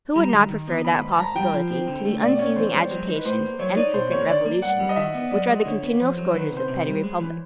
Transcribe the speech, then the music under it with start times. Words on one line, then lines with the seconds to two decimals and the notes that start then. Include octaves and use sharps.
Who would not prefer that possibility to the unceasing agitations and frequent revolutions which are the continual scourges of petty republics?
0.16 G3 A#5
0.33 D#3
0.50 D#3
0.68 B3
0.85 D#3 B5
1.02 G#2 B5
1.12 A5
1.19 G#2 A#5
1.36 G3 G5
1.53 F3
1.71 C4
1.88 D3
2.05 A3
2.22 B2 D5
2.35 D5
2.39 C#4 C#5
2.56 E2 C5
2.74 G#3 C5
2.91 F#3 C5
3.08 D#4
3.16 B4
3.25 A2 C5
3.42 A#3
3.59 F#3 C#5
3.77 D#4 D5
3.94 B2 C5
4.11 A#3 C#5
4.28 D3 D5
4.45 A#3
4.62 G2 F#5
4.79 G3
4.89 D#5
4.96 D#3 E5
5.14 B3
5.31 F#2 D5
5.49 G#3
5.65 D3 C#5
5.82 B3
5.99 F2 C5
6.18 F#3
6.34 D#3 B4
6.51 C3
6.57 C5
6.68 C3
6.85 G3
7.03 G#3
7.20 E3